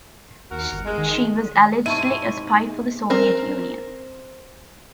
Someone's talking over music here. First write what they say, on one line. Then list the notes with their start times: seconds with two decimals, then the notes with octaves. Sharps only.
She was allegedly a spy for the Soviet Union.
0.51 D#2 F#4 A#4
0.72 G1
0.85 G#3
0.98 D#3
1.86 G#2 C3 G#3 E4 D#5 A5 C#6 D#7
3.10 C4 A#4